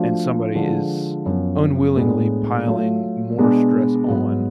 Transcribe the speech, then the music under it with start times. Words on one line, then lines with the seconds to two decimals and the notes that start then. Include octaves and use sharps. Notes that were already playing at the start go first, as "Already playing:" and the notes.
and somebody is unwillingly piling more stress on,
Already playing: F3 A3 D4 F#4
0.55 D3 F3 G#3
1.26 F#2 F3 B3
1.97 A2 G#3 B3 D4
2.68 F#3 A3 F4
3.38 B2 G#3 B3 D4
4.08 G#2 F#3 B3